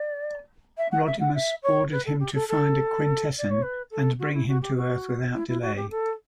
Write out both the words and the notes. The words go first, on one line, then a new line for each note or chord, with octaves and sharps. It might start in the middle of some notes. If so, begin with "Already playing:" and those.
Rodimus ordered him to find a Quintesson and bring him to Earth without delay.
Already playing: D5
E5
F#5
E5
F#5
E5
C#5
B4
A4
G4
A4
A4
D5
C#5
B4
A4
F#4
E4
F#4
G4
F#4
E4
E4
F#4
G4
A4